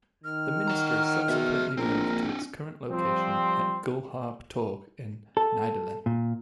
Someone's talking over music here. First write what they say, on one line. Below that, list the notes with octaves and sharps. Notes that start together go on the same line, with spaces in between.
The ministry subsequently moved to its current location at Gullhaug Torg in Nydalen.
D#3 F6
F#5 A#5
B2 G#4 E5
A#1 C4 D4 A#4
F3 G3 C4
A4
A#2